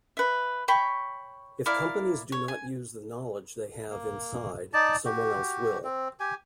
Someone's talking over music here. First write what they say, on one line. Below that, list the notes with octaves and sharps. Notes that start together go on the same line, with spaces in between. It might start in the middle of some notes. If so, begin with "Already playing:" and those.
If companies do not use the knowledge they have inside, someone else will.
B4 E5
C#5 G5 B5 C#6
E4 A#4 D5 F5
C#5
G#5
A#3
D#4 D5 A5
F#4 G4
C4
G4 G#5